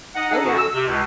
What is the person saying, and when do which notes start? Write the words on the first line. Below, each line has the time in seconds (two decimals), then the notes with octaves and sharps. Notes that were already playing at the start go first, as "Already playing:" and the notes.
Oh, yeah,
0.15 D#4 D#5 F#5
0.30 D#4 G#4 A4 D#5 F#5
0.44 F#2 D3 F#4
0.57 E6
0.74 C3
0.87 C#2 B2